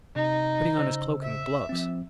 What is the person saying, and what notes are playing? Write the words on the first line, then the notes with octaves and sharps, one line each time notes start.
"Putting on his cloak and gloves."
C3 D#4
C#3 C5 E6
E5
F3 C4